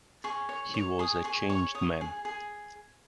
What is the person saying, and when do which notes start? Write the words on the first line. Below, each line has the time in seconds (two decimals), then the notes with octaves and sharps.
He was a changed man.
0.24 G#4 C#6
0.49 C#5
0.74 C#5
0.99 G#4 D#6
1.24 G#4 C#6
1.50 C#5 C#6
1.75 C#5 D#6
2.01 G#4
2.25 G#4